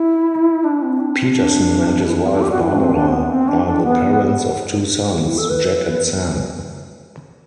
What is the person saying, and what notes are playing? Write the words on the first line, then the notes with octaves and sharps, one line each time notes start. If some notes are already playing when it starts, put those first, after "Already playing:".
Petersen and his wife, Barbara, are the parents of two sons, Jack and Sam.
Already playing: E4
D4
C4
D4
C4
D4
E4
D4
B3
C4
D4
G4
F#4
E4
D4
C4
D4
C4
B3
C4
D4
D4
B3
E4
A4
B4